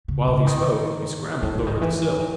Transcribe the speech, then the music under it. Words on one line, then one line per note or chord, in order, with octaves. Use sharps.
While he spoke, he scrambled over the sill.
C#3
C#3
D#3
D#3
D3
D#3
E3
D#3